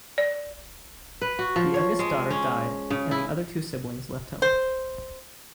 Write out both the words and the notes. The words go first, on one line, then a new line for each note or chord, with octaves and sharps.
The youngest daughter died and the other two siblings left home.
D5
B4
F#4
F3
C#5
G#3
C#4
C#3
E4
C5